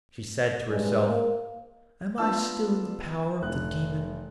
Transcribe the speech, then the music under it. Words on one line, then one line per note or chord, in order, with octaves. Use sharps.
She said to herself, 'Am I still in the power of the demon?
G2 C3 G3 G#3
A#3
B3 D4 F4 A5 E6
F1 F#6